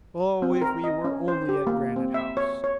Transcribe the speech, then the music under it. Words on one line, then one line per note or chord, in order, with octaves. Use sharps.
"Oh, if we were only at Granite House!"
C4
A#4
D#5
C#4
C5
G4
A#3
C4
E5
C#5
C#5